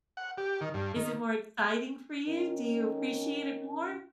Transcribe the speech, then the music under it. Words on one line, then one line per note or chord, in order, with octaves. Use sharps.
Is it more exciting for you? Do you appreciate it more?
F#5
G4
D#3
G2
D#3
D#3 C#4